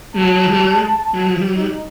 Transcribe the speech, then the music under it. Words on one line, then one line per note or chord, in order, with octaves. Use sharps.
Mhm. Mhm.
A5
D#4